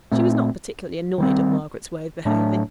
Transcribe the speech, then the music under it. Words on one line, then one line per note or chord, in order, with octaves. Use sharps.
She was not particularly annoyed at Margaret's way of behaving.
A#2 A3 C4
D#3 G3 C4
A2 F#3 A3 D4